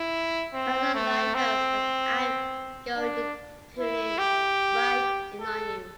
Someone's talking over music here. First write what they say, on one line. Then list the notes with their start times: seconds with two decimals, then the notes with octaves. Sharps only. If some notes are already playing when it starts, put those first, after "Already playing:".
Another line notes that I'm going to tune right in on you.
Already playing: E4
0.54 C4
0.95 A3
1.35 C4
2.97 D4
3.79 E4
4.18 G4
5.40 A4